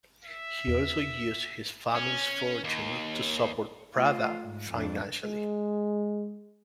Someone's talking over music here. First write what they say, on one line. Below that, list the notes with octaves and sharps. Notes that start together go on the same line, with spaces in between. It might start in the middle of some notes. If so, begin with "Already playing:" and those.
He also used his family's fortune to support "Pravda" financially.
E5
E2
C#4
D#2
A3 F4
G#2
F2 D4
G#3